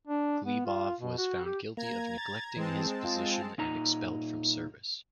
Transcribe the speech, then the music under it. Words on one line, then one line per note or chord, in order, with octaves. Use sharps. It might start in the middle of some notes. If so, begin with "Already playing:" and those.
Glebov was found guilty of "neglecting his position" and expelled from service.
D4
B3
F4
B2
F#4
G4
A#3 A#5 G#6
A6
E3 G#3 C4 A5
F4
A#2 D#4 A#5